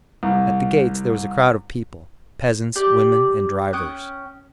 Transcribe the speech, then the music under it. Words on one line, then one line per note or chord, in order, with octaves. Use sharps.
At the gates there was a crowd of people, peasants, women and drivers.
C2
G4 D5
C#4 G5 D#6 F#6